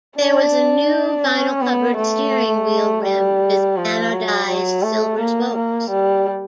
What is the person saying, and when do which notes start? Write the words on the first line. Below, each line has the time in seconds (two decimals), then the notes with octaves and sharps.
There was a new vinyl-covered steering wheel rim with anodised silver spokes.
0.18 D4
1.26 C#4
1.62 B3
1.97 A3
3.04 G3
3.77 F3
4.12 F#3
4.47 F#3
4.83 A3
5.19 A#3
5.55 A#3
5.90 G3